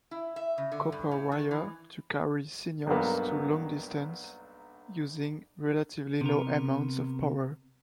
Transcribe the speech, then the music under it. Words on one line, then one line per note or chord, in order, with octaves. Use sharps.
Copper wire to carry signals to long distances using relatively low amounts of power.
E4
E5
C#3
D3
G2
A2
D#3
E3
B1 G2 F#3 A#3 B3
C3 B3 A#4